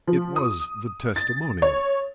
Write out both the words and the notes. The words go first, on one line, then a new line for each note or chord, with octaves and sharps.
It was the testimonial.
F3
D#6
A6
C#5